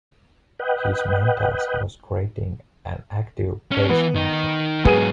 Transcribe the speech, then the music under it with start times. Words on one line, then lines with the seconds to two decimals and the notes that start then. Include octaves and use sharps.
His main task was creating an active peace function.
0.59 B4 D#5 F#5 G5
3.71 C#4 D4
3.90 E3 B3
4.16 D#3 D#4
4.85 G#2 F#3 B3 G#4 D#7